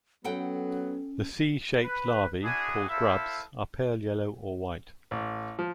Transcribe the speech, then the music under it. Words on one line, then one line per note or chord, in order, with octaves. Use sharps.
The C-shaped larvae, called grubs, are pale yellow or white.
F#3 B3 C#4 A4 F#5 G5
B4
D4 E4 F#4 G#4
E4 A4 C5 E5 F5
A1
F3